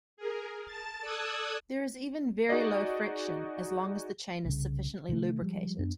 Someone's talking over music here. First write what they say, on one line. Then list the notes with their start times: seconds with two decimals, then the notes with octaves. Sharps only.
There is even very low friction, as long as the chain is sufficiently lubricated.
0.17 G#4 A#4
0.65 A5 A6
1.00 A4 D5 D#6 E6 F#6 G#6
2.49 D#4 F#4 G#4 D5 D#5
4.45 C2 C#3
5.09 C3 D#3 G3 A3
5.42 F3 G3 G#3
5.78 F#2 B3 D4